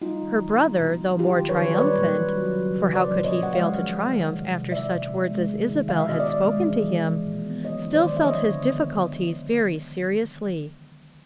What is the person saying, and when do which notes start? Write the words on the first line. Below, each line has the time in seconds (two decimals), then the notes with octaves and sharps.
Her brother, though more triumphant,--for how could he fail to triumph after such words as Isabel had spoken to him?--still felt his difficulties very seriously.
0.02 G3 D#4 F4
0.22 D#3
0.42 D#3
0.61 G#3
0.80 B2
1.00 B2
1.19 F#3 F4 G4
1.39 D#3
1.49 B4 C#5
1.58 D#3
1.74 D5
1.78 G3 B4 C#5
1.98 A#2
2.17 A#2
2.37 F#3
2.56 C#3
2.76 C#3
2.95 F3 C5 D5
3.15 A#2
3.24 C#5 D#5
3.34 A#2
3.43 F#5
3.54 G#3 D#5 F5
3.74 F3
3.93 F3
4.13 D#3
4.32 C3
4.52 C3
4.71 G#3 D5 E5
4.91 B2
5.10 B2
5.30 G#3
5.50 D#3
5.70 D#3
5.89 G#3 F5
6.00 E5
6.08 B2 D#5
6.19 D5 E5
6.28 B2
6.48 G#3
6.67 E3
6.87 E3
7.07 F3
7.26 A#2
7.46 B3
7.64 F#3 C#5 D#5
7.85 D#3
7.95 C5 D5
8.05 D#3
8.17 E5
8.24 F3 C#5 D#5
8.43 D3
8.63 B3